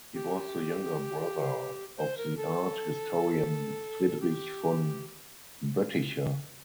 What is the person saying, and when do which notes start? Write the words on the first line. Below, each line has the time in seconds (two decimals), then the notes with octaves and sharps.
He was the younger brother of the art historian Friedrich von Boetticher.
0.14 G4
1.98 C5
2.17 A#4
2.37 A4
4.20 G4